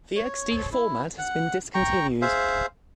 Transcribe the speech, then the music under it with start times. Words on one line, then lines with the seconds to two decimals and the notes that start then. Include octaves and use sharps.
The xD format has been discontinued.
0.16 C#5
0.72 E4
1.18 F#5
1.74 G5 A#5 C#6
2.22 G#4 C5 E5 F5